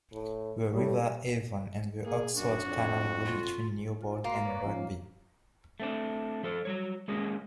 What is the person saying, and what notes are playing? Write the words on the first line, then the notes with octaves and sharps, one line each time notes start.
The River Avon and the Oxford Canal go between Newbold and Rugby.
A2
A2 G3
A#3 G#4
F#2 D4 F#4
F2
F4
F4
A#3 F#4 C6
B4 C#5 D5
F3 C#4
A3 C4 D4
F3 A4 C5
F#3 G3 C#5
G#3 A#3 C#4 G#4